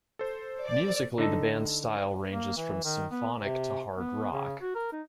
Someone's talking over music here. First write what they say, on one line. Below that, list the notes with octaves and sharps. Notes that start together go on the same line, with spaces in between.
Musically the band's style ranges from symphonic to hard rock.
A4 C5
D5
D3 D#4 A4
A#3
E3
D#3
B3
C3
B3
C#3
F#4
A#4
D#4